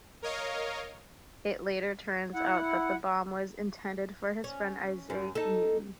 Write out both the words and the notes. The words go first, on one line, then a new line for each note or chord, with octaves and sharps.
It later turns out that the bomb was intended for his friend Isaac Newton.
A#4 C#5 D#5 F5
E4 F#5
C#4
F#2
D#4 A4